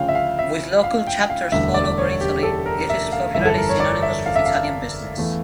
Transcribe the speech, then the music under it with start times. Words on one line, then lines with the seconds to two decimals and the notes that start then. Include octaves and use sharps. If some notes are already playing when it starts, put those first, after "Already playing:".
With local chapters all over Italy, it is popularly synonymous with Italian business.
Already playing: D2 C#3 F3 C#4 F4 F5 G5
0.08 E5
0.15 F5
0.39 E5
0.83 F5
1.07 G5
1.30 F5
1.52 E1 D2 D3 G3 E5
1.74 D5
1.98 C#5
2.21 G4
2.43 A4
2.66 A#4
2.90 E5
3.12 F5
3.34 G1 F2 E3 G3 E5
3.45 A4
3.58 A#4
3.69 C#5
3.80 D5
4.02 E5
4.26 F5
4.36 E5
4.46 F5
5.17 E2 E3 A3 E4